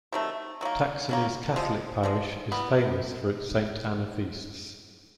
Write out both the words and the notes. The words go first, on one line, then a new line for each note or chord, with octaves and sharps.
Taksony's Catholic parish is famous for its Saint Anna feasts.
C3 D#3 F#3 A3
D#3 F#3 A#3
D#3 F#3 A#3
C3 F3 G#3
C3 F3 G#3
E3 G3 B3